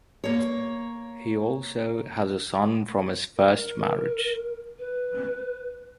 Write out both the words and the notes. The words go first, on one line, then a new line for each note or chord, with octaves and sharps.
He also has a son from his first marriage.
A#3 C#5
A#4
B4